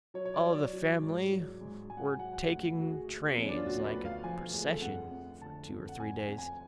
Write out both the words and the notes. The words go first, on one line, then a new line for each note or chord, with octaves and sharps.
All the family were taking trains, like a procession, for two or three days.
F#3 C#5
C#5
D5
F#3
D5
F#3
G#2
F#3
G#2
G#2 G#5
F#5
G#5
F#3 F#5
F#5
D2 F#5
D2 F#4
G#4
D2
B3
F3 C#4
D4
F4
D2 F#4
B4
D2
F5
F3 G#5
D2 G#4
A4
F2 F#5
F2
D3 A5
F2
F#5
F2 G#5
G#5
F2
G#5